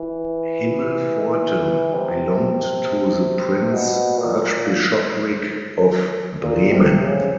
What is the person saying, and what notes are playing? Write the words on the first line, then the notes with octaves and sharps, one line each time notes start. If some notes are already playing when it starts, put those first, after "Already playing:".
Himmelpforten belonged to the Prince-Archbishopric of Bremen.
Already playing: E3
C3
B2
A#2
A#2
C3
C#3